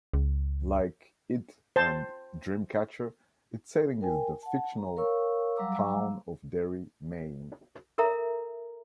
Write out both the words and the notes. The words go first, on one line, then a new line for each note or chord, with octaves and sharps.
Like "It" and "Dreamcatcher", its setting is the fictional town of Derry, Maine.
C#2
C5 A5
A#4 G5 G#5
F#5 A5
A#5
A#4 C#5 F5 C#6 E6
F#3 G3 F5 A#5 D6 E6
A4 A#4 E5 A#5